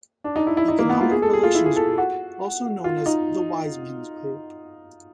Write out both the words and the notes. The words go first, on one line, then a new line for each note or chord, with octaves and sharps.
Economic Relations Group, also known as the "Wise Men's Group".
D4
D#4
E4
E4
D#4
A#3
B3
F4
G#4
A4
G#4
F4
E4
G#4
A4
F#4
F4
D#4